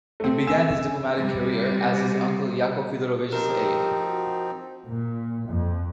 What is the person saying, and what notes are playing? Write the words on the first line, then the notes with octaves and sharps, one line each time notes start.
He began his diplomatic career as his uncle Yakov Fyodorovich's aide.
A3 C4
G#5 E6 E7
C3 G3
F3 C4 D#4 G4 A#4
F#4
A#2
F2